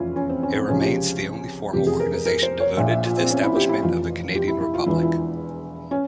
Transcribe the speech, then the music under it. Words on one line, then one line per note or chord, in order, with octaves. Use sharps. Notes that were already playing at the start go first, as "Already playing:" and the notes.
It remains the only formal organization devoted to the establishment of a Canadian republic.
Already playing: F1 E2 E3 C#4 E4 F4
C#4
C4
C#4
C4
C#2 C3 F3 C#4
G4
F1 E2 C3 G4
G#4
A#4
A#4
A#4
C5
C#5
A#1 A#2 F3 E5
E5
F4
C4
C#4
E4
G4
E4
F1 F2 E3 F4
G4
E4
E4
F4
E1 E2 E3 E4
F4
E4
C#4